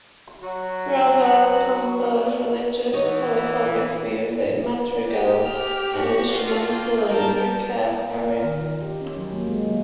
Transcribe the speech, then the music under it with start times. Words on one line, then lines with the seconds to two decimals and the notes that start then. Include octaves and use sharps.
Raval composed religious polyphonic music, madrigals and instrumental ricercari.
0.42 F#3 F#4
2.93 E3 D#4 F#4 C#5
5.08 G4
5.44 F6
5.93 F#4
6.31 F4
6.66 A#3 G5
7.08 G3 A#4 G5 A5
8.26 A#4
8.44 D#3
8.59 F4
8.82 G4
9.01 C#4
9.17 F#3
9.33 A#3
9.47 G#3
9.69 A#3